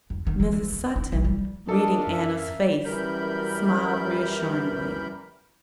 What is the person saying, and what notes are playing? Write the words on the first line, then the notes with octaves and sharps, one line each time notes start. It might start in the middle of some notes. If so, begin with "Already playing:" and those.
Mrs. Sutton, reading Anna's face, smiled reassuringly.
F2
D#3
E3
E3
D#2
E4
B1
G3
D4 A4 A#4 D#5 F5
F#2 E5
F#2 E3 G3 A#4 B5 G6